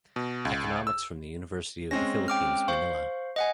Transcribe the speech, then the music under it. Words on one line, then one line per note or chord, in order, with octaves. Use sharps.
Economics from the University of the Philippines Manila.
B2
C#2
E6
G#3 C4 C#4 A#6
G5 D6 F6
C5 F5 C#6
D#5 F#5 G#5